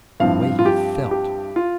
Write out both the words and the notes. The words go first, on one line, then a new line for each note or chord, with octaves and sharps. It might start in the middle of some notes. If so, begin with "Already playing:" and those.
The way he felt.
G2 F3 C4 E4 F5
F4
G4
G4
F4